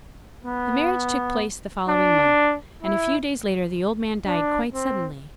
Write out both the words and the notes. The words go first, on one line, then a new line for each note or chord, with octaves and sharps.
The marriage took place the following month, and a few days later the old man died quite suddenly.
B3
D4
E4
D4
C4